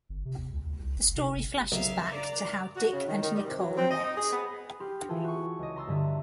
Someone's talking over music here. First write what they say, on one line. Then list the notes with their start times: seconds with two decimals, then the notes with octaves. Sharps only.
The story flashes back to how Dick and Nicole met.
0.09 G1
0.25 C3
0.38 E2
0.52 C#2
0.67 D2
0.79 C2
0.96 F#1
1.16 C3
1.36 G1
1.72 B1 C#3 A#4 E5 F5
2.09 D5 A#5
2.75 F#4
2.92 C#3
3.07 D#3
3.21 D#3
3.34 G3
3.46 C3
3.59 F#3
3.77 C4
3.91 D#5
4.04 D#4
4.15 G#4
4.31 B3
4.80 G4 C6 F6
5.08 E3 F4 G#4 A4 C5
5.24 F#4 C#6
5.59 C#2 D#5
5.76 A#5 C6 E6 A6
5.87 G2 D3 E5